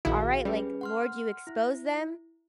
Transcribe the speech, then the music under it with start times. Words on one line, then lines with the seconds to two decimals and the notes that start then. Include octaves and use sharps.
All right, like, "Lord, you expose them,
0.05 A#1 D#3 E4 F#4 G#4 F5
0.45 G3 C#4 G#4 B4
0.81 F#5 C6 F6
1.47 E4